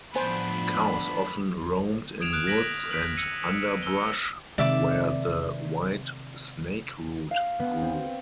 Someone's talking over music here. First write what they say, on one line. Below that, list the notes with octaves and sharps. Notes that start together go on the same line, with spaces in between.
Cows often roamed in woods and underbrush, where the white snakeroot grew.
A2 F3 B3 D4 C5 G#5 B5
D#6 G#6 D7 E7 F7
D#6 F6 F#6 D7
F#6 G#6 A#6 B6 D7 F#7
D#6 B6 D7 F7 F#7
E6 C#7 D#7
E6 D7 G7
C3 D#3 G#3 D5 E5 D6
F5
B3
C4